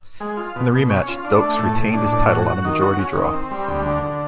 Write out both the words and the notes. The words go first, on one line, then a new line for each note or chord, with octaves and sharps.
In the rematch, Dokes retained his title on a majority draw.
G#3
F4
B2
B2
C#4
F4
D4
A3
A2
A2
D4
A2
F#4
F#4
D#3
F#4
C#4
D#3
C4
G3
D2
D3
D3